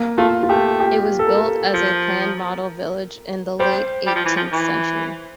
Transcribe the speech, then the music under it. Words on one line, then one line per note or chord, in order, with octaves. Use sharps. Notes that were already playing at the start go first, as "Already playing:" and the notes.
It was built as a planned model village in the late eighteenth century.
Already playing: A#3
A3 F4
F4
A3 G4
G4
A4
A#4
F3
G3 C5
G3
F3
E3
F3
E3